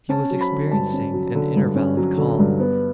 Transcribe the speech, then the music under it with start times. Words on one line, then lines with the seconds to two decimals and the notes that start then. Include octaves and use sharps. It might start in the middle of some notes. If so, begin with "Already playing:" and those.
He was experiencing an interval of calm.
0.09 C#4 A5
0.31 F#3
0.41 B5
0.51 D3
0.71 G2 A5
0.93 C#4
1.14 F#3
1.35 D3
1.56 G2
1.76 C#4
1.97 F#3
2.17 D3
2.39 G2
2.60 B3